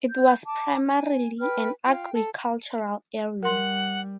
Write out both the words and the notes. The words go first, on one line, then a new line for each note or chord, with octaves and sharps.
It was primarily an agricultural area.
G6
A5 D6
G#5
B4 G5 F6
F4 G5
A4
G3 A#4 F#5 C6